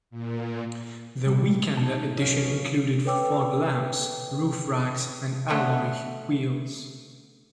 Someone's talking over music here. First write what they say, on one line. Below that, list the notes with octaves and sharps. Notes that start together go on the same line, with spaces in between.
The Weekender edition included fog lamps, roof racks and alloy wheels.
A#2
A#2 G3
D#4 A5
B1 F#2 C#4 D#4 F5
A4 B4 C#5 G5 D6 E6
D3 A3 B3 C5 C#5 G#5